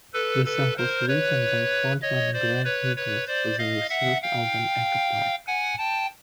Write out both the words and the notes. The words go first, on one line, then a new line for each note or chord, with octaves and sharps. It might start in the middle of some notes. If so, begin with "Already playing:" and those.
The song was written by frontman Grant Nicholas for their third album "Echo Park".
A4 B4
A4 B4
A#4 C5
B4 C#5
C#5 D#5
C5 D5
B4 C#5
B4 C#5
C5 D5
D#5 F5
E5 F#5
F5 G5
F#5 G#5
G5 A5